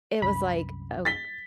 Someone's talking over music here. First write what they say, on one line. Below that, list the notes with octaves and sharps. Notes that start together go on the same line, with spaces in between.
it was like, ok
C2 F#2 B5
A6 B6 G7